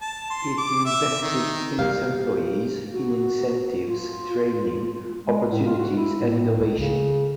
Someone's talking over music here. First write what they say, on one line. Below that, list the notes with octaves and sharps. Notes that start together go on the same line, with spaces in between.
It invested in its employees in incentives, training, opportunities, and innovation.
A5
C6
D6
E5
D#3
B2 G3 A#3 G4 F5
F#4
F4
G#3
A2
F4
F#4
E4
A2
C#2
C#3